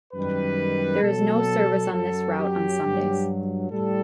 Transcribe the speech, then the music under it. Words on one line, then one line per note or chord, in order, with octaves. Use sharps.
There is no service on this route on Sundays.
F#2 D#3 G3 B4
B2 F#3 A4
F#2 F#3 A4
G4
G2 F#3
A2 G3 A4